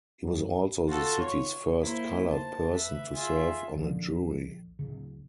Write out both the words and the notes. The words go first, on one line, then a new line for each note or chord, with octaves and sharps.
He was also the city's first "colored" person to serve on a jury.
F#2
F4 F#4 A4
C#5
A#3 E4 C5
C5 A5
B4 E5
F4 G#4 E5
A#1 D#2 D3 F3
D1 C#3